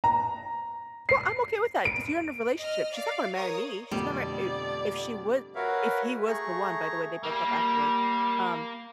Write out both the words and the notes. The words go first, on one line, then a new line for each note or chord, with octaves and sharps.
Well, I'm okay with that, ‘cause you're in a relationship. She's not gonna marry me. She's gonna marry i if she would, if he was the one- by the way, they broke up afterwards, um
A#5
C7
D7
D#5 F6
D5 F5
A#4 C#5 D#6
F2 B2 D3 G3 A3 D5
F#4 A#4 B4 C#5 E5 F5
A3 G#4 A#5 C#6
G3 A#3